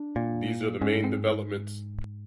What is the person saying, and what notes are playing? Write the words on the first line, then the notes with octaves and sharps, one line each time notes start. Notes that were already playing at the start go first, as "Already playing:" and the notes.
These are the main developments.
Already playing: D4
A#2
G#2 C#4
C4